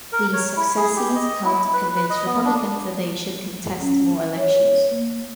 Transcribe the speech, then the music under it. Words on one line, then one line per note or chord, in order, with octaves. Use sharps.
These successes helped convince republicans that they should contest more elections.
A#4
C#5
E4
G#4
G4
D#5
E4
B4
B4
D#5
B3
D4
C#4
E5
C#5
A#3